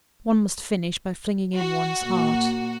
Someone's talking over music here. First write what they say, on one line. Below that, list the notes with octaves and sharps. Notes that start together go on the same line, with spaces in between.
One must finish by flinging in one's heart.
F#4
A#2 A#3